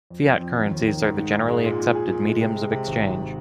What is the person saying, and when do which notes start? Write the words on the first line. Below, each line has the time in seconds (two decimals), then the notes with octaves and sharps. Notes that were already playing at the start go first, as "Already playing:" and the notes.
Fiat currencies are the generally accepted mediums of exchange.
0.10 F2
0.25 C4
0.40 F2
0.56 D#3
0.71 D#2
0.87 D#3
1.02 G#2
1.18 G#2
1.34 G#2
1.48 G#3
1.64 A#2
1.80 A#2
1.95 G#4
2.11 A#2
2.25 G#3
2.41 C3
2.56 G#3
2.72 C3
2.87 G#1
3.03 G#2